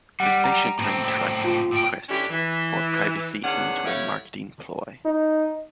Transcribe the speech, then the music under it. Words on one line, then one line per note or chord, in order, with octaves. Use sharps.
The station turned Tracht's request for privacy into a marketing ploy.
G3 F#5
A#5
A2 C4
F4
A2 G5
D3 C#4 D4 E4 G4
E3
E2 D#3 C#4 D4 F#5
A2 G3 E4 C#5 F5 F#5
D#4